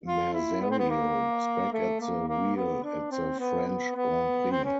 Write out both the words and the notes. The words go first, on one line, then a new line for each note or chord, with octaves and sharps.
Merzario was back at the wheel at the French Grand Prix.
F4
E4
B3
C4
B3
A#3
A3
A#3
A#3
B3
D4
C4
B3
B3
B3
C4
C#4